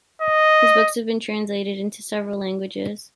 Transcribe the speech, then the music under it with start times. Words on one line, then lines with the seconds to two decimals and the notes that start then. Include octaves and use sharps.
His books have been translated into several languages.
0.22 D#5